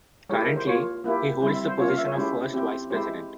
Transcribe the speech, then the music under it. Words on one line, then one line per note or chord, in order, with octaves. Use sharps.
Currently, he holds the position of First Vice-President.
G#3 E4 G4 C#5
A#4
C5
A#3 F4 C#5
A#3 E4 G4
G3 C4 E4 C5
E5
C5
A#3 C#4 F4 C#5
F5
E5
C#5
G#3 C#4 E4 G4 C5
C4 E4 G4
G#3 E4 G4 C5